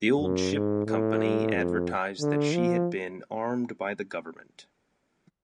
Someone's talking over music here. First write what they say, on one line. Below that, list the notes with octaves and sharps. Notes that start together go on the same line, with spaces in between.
The Old Ship Company advertised that she had been armed by the government.
F#2
G#2
A2
F2
D3
F3